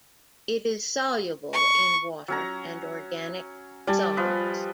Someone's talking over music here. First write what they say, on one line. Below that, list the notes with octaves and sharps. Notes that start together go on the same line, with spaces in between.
It is soluble in water and organic solvents.
C#6
F#3 C#4 A#5
G3 D5 G#5 A5
F3 B4 D#5